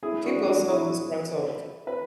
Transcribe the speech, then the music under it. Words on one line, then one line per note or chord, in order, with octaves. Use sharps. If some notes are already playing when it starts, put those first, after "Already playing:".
People are so disgruntled.
E4 G#4
D4 F#4
D4 F#4
E4 G#4
B4